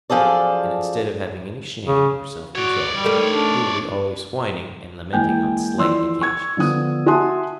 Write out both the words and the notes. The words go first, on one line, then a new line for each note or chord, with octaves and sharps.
And instead of having any shame or self-control, he will be always whining and lamenting on slight occasions.
F#2 F3 G#4 A4 D5
C#3
F#4 C#5 D5
G3
D#3 A3
D4
E3 G#3 A#3 G5 G#5 G6
E3 F3 D5 C6 E6
C#6 G#6
D3 F3 B3 D#6
F#4 E5 G#5 A5 C6 D#6